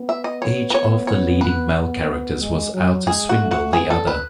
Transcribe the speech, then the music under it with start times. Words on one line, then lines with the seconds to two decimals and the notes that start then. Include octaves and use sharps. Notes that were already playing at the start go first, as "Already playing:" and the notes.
Each of the leading male characters was out to swindle the other.
Already playing: B3
0.09 E5
0.24 D#5
0.42 C#5
0.70 B4
0.74 C#5
1.07 C#5
1.41 B4
2.41 G#3
2.74 F#3
3.07 G#3 G#4
3.29 F#4
3.40 A3
3.51 F#4
3.73 B3 G#4
3.90 A4
4.07 B4